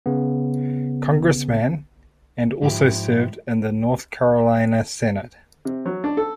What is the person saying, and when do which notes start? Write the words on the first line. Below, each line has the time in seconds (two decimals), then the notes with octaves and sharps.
Congressman and also served in the North Carolina Senate.
0.06 C#3 B3
2.62 G#2 F3 E4 G4
5.65 C3
5.86 F#3
6.04 D4
6.17 A4